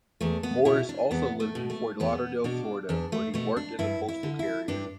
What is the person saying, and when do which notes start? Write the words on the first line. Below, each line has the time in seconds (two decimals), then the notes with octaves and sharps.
Morris also lived in Fort Lauderdale, Florida, where he worked as a postal carrier.
0.21 E2 A3
0.43 B3
0.65 B2 E4
0.89 D4
1.11 E2 B3
1.40 A3
1.55 B2
1.70 A3
2.00 E2 B3
2.44 B2 D4
2.89 E2 D4
3.12 A3
3.34 B2 A3
3.56 D4
3.79 G2 E4
4.08 E4
4.23 D3
4.39 E4
4.68 G2 D4